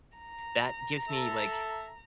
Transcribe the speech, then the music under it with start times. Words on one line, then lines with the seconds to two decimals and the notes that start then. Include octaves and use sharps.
that gives me, like,
0.18 A#5
1.08 A4 E5